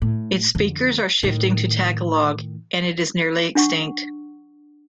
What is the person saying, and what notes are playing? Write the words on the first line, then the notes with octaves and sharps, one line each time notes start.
Its speakers are shifting to Tagalog, and it is nearly extinct.
A2
F2 D3
A2 D#3
D4 F#5 C#6